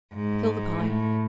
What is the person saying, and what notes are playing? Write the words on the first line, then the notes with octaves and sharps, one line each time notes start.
Fill the pie.
G#2
A2